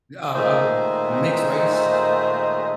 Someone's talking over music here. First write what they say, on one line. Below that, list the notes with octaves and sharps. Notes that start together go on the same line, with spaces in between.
Oh, um, mixed raced?
A#2 D#3 G#3 A3 C5 D#5